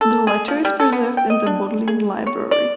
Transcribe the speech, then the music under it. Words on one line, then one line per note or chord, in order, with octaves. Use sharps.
The letter is preserved in the Bodleian Library.
A4
G#4
F3
G3
A4
B3
G5
D#5
D4
G#4
C#5
D5